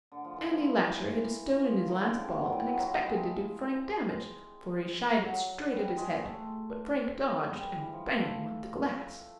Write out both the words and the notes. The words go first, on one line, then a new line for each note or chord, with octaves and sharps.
"Andy Lasher hid a stone in his last ball, and expected to do Frank damage, for he shied it straight at his head; but Frank dodged, and bang went the glass!"
D3
F3
E3
F3
E3
F3
D#3
D3
C#3
C3
B2
C3
E3
F#3
F3
F#3
G3
G#3
A3
G#3
F#3
G3
G#3
A3
G#3
G3
E3
F3
A3